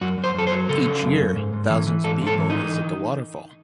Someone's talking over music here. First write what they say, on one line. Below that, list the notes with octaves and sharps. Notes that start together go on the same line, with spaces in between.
Each year thousands of people visit the waterfall.
F#2 F#4
F#2
C5
F#2 A4
C5
F#3
C#3 A4
C#3
F#2
F#2
G#2
G#2
E3
E3
G#2 A4
G#2
A4
E3
D#4
E3